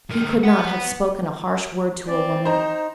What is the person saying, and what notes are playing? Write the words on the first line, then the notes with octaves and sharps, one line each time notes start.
He could not have spoken a harsh word to a woman.
D3 A#4
B4 F#5
C4 D5
D#4 C5 A#5